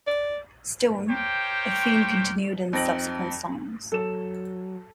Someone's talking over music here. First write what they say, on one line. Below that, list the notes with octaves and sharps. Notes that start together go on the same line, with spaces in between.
Stone, a theme continued in subsequent songs.
D5
G4 A#4 C5 C#5 G5
F2 C4 D#4 A#6 D7 F#7
F#3 A4 E7